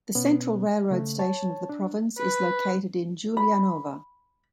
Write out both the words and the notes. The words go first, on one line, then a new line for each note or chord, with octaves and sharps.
The central railroad station of the province is located in Giulianova.
B2 B3 C#4
C#3 A3
C#5 A5
D4
B4
B5